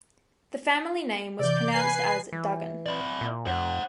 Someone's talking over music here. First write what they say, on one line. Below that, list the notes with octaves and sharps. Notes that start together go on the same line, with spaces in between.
The family name was pronounced as "Duggan".
C3 E3 D5 G6
B4 G#5 C7
E3
E4 D5
A#2
F2 C5 F#5